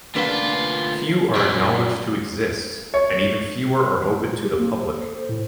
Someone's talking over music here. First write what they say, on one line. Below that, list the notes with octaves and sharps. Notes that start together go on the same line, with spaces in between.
Few are acknowledged to exist, and even fewer are open to the public.
D2 A#3 D4 F4 B4
F#2 A#2 D5
C#5
G4
A#3
C5
A4
C5
A2